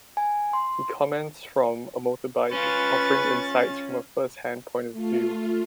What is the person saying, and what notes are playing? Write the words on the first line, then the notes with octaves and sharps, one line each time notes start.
He comments from a motorbike, offering insights from a first-hand point of view.
G#5
C6
C#4 F4 B4 C#6 A6
A3 F4